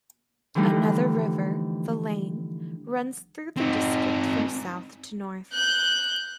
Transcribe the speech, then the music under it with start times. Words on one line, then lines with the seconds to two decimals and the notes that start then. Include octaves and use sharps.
Another river, the Leine, runs through the district from south to north.
0.55 D3 E3 F3 G3 A3 D#4
3.57 C4 D#4
5.53 F#6 G6